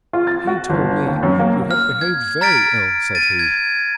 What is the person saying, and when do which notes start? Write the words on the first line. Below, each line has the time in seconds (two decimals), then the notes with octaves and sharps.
'He told me you had behaved very ill,' said he.
0.13 F4
0.27 A6
0.47 F#4
0.69 G1
1.06 D#2
1.23 F#2
1.39 A#3
1.71 F6
2.01 G#6
2.41 A#5 F6 A6 B6 D7
3.15 A6 D#7
3.39 G#6